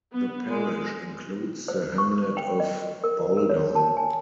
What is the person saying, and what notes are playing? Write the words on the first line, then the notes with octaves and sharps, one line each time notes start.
The parish includes the hamlet of Bowldown.
B3
G#3
C5
C#6
G5
D#5
A#4
A#4
C#5
A5
G#5